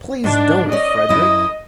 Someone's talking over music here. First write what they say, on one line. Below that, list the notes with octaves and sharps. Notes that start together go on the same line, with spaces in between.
Please don't, Frederick!
G#2 D4
C#4 D5 D#5
F#2 E4 D#6